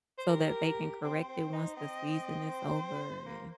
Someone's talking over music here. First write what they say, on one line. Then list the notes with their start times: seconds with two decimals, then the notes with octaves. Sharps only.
so that they can correct it once the season is over, and
0.18 C5
0.28 G4 A#4
1.04 C4 C5
1.28 C4
1.53 D#4
1.77 C4 D#5
2.52 C5
3.25 A#3